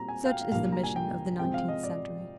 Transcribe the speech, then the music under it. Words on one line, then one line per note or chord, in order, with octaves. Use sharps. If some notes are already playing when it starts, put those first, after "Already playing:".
Such is the mission of the nineteenth century.
Already playing: A#2 G3 C4 A#5
G#5
F5
G5
F5
C2 A#2 G3 A#3 D4 F5
A#5
G#5
G5
C3 F3 G#3 C4 G5
F5
D#5
D5